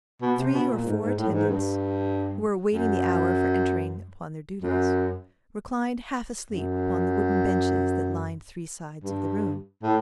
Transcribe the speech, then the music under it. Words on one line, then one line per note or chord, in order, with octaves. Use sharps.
Three or four attendants, who were awaiting the hour for entering upon their duties, reclined half asleep upon the wooden benches that lined three sides of the room.
B2
C3
B2
A#2
G#2
G#2
A2
G2
G#2
G2
F#2
F#2
F#2
G2
A2